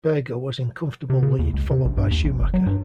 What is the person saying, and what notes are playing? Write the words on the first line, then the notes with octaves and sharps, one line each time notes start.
Berger was in comfortable lead followed by Schumacher.
C3
C#3
D#2
C#2
C3
A#1
G2
D#2
A#1
F#1
F#3
G2